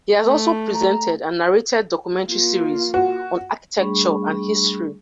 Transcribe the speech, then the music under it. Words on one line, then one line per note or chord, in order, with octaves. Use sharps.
He has also presented and narrated documentary series on architecture and history.
A3
A#5
A#3 F4
F#4
G3 A3 D4 G#4 B5 C#6